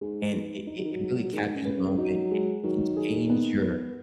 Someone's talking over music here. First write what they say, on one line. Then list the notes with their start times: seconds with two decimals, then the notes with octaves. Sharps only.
and it it it really captures a moment. It it can change your
0.01 G#2 G#3
0.34 B4
0.67 D#4
0.76 F#3
0.85 D#3
0.93 F#3
1.00 G#3
1.33 D#3 G#3
1.55 C#3
1.65 B4
1.76 C#3
1.98 F#3 D#4
2.31 G#3
2.64 D#3 F#3
2.97 G#4
3.30 B3
3.62 B4